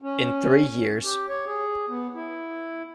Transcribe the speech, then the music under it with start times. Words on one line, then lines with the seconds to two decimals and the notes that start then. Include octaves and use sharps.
In three years.
0.02 C#4
1.04 G4
1.29 C#5
1.46 G#4
1.89 B3
2.14 E4